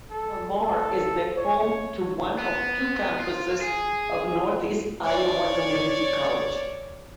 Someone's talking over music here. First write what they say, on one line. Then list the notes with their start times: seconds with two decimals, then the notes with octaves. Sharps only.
Calmar is the home to one of two campuses of Northeast Iowa Community College.
0.10 A4
0.61 A4
1.38 C#5
2.38 B3
3.20 F4
3.61 G#4
5.03 C#5 D5